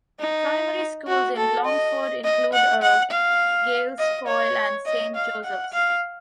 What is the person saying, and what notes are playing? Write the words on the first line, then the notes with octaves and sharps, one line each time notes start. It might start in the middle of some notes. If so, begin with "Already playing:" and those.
Primary schools in Longford include a Gaelscoil and Saint Joseph's.
D#4
F#4
A4
D#5
D#5
F#5
F#5
F5
D#5
C#5
D#5
F5
F#5
F5